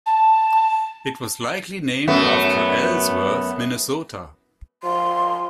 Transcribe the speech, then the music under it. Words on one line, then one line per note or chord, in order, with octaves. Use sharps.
It was likely named after Ellsworth, Minnesota.
A5
F#2 A3 B3
F3 C6